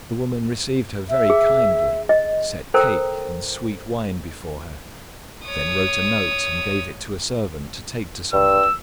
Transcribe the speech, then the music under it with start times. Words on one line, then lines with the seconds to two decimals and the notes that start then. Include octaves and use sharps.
The woman received her very kindly, set cake and sweet wine before her, then wrote a note and gave it to a servant to take to somebody.
1.10 E5
1.30 G#4
2.09 D#5
2.74 A4 A#4 C5 G5 A#5
5.45 C#5 D#6
8.33 G2 E6